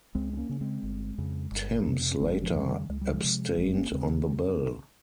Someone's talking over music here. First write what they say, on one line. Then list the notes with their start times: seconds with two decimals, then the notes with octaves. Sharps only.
Timms later abstained on the bill.
0.15 C#2 G#3 C4
0.33 C4
0.37 A#3 C#4
0.49 C#3 C#4
0.61 G#3 C4
0.83 G1
1.18 F2 C#3
1.51 G1
1.87 F2 C3
2.11 C#4
2.20 G1 G#3 C4
2.43 F3 G#3
2.55 F2 C#3
2.66 D#3 G3
2.89 C#2 G#3
3.01 G3
3.14 F3 G#3
3.24 C3
3.57 F1 F3 G#3
3.75 A#3 C#4
3.92 D#2 C#3 G#3 C4